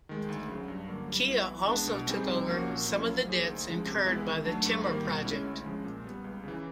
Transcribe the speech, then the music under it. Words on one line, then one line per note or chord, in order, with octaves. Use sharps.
Kia also took over some of the debts incurred by the Timor project.
D#3 G#3
D2
C#3 F#3
G2
D3 F#3 A#3
G3
B3 E4
E3
G#3 B3 D4
B2
G3 C4 D#4 G#4
C3
F3 A#3 C#4 F#4
A#2
F3 A#3 C#4 E4
F#3
A#3 D#4 G#4 C5
D2
C#3 F3 G#3
C3
E3 G#3 B3 E4
D#3
F#3 A3 D4
G#2
D#3 G3 A#3
B2
G#3 C#4 E4
D2
C#3 F3 G#3
A#2
G3 B3
C#2
C#3 E3